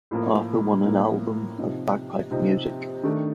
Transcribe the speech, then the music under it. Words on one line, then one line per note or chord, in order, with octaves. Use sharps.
Arthur won an album of bagpipe music.
A2 F3 A#3
A2 F3 A#3
C3 F3 C4 D#4
C3 F3 C4 D#4
D#3 A3 D4